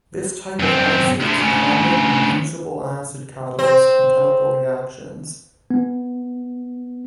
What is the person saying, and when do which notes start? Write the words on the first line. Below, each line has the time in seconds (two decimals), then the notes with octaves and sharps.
This type of acid is a common re-usable acid catalyst in chemical reactions.
0.60 F#2 C4
1.20 D2 D3
1.38 D2 C#3
3.59 C4
5.71 B3